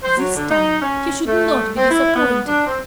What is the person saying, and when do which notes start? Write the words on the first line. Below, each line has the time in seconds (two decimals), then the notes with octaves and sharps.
This time he should not be disappointed.
0.03 C5
0.17 F#3
0.35 D3
0.50 D#4
0.81 C#4
1.26 A3
1.76 C4
1.90 E4
2.14 B3
2.46 D4
2.66 C4